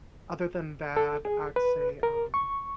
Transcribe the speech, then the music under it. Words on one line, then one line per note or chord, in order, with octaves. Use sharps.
other than that, I'd say, um,
A4
G#4
B4
A#4
C#6